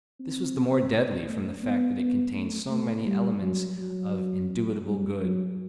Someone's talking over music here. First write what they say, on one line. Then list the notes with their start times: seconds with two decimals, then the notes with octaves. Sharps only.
This was the more deadly from the fact that it contained so many elements of indubitable good.
0.20 C4
1.28 A3
1.63 B3
1.99 B3
2.34 A3
2.70 A3
3.06 G3
3.42 F#3
3.78 F#3
4.85 G3
5.21 F#3